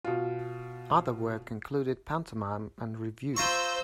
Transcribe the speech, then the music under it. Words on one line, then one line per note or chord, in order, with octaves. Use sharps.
Other work included pantomime and reviews.
B2 F4
F4 C5 A#5 C#6 E6 G6